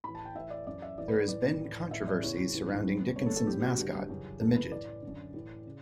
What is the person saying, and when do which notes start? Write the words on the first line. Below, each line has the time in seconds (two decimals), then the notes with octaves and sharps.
There has been controversy surrounding Dickinson's mascot, the Midget.
0.04 A2 E3 B5
0.15 A5
0.25 G5
0.35 A2 E3 E5
0.50 D5
0.67 F#2 E3 D5
0.82 E5
0.98 A2 E3 D5
1.08 B4
1.28 A2 E3 D5
1.61 A2 E3
1.91 A2 E3 E5
2.07 D5
2.23 E2 C#3 E3 C#5
2.53 A2 E3
2.85 A2 E3
3.16 G2 D3 C#5
3.26 A4
3.36 A4
3.47 A2 E3 G4
3.62 F#4
3.78 G2 D3 G4
4.09 F#2 C#3 E3
4.41 F#2 C#3 E3 A4
4.56 B4
4.72 A2 E3 D5
5.02 D3
5.08 F#2
5.34 A2 E3
5.67 C#3